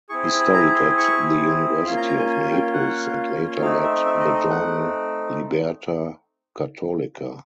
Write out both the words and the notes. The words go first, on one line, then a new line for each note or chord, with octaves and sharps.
He studied at the University of Naples and later led the journal "Liberta cattolica".
C4 E4 G#4 C#6
C6
B5
A#5
C6
C#6
A#3 C#4 F4 C6
A#5
A#5
G#5
G#5
G5
F#5
A3 C4 D#4 F5
E5
E5
D#5
D#5
F#5